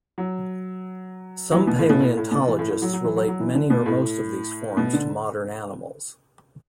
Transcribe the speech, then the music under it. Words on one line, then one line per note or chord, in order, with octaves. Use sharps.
Some paleontologists relate many or most of these forms to modern animals.
F#3
F#3
E3
B2
A2
B2
A2
A2
B2
E3
A2
A2
F#3
F#3
E3
F#3
F#3
E3
D3
B2
A2
B2
D3